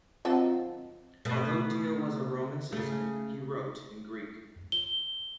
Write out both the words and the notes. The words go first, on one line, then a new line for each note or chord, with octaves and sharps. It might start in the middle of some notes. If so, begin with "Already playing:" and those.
Although Dio was a Roman citizen, he wrote in Greek.
D#3 F#3 C4 F4 A4
B2 A3
C#3 A3
G7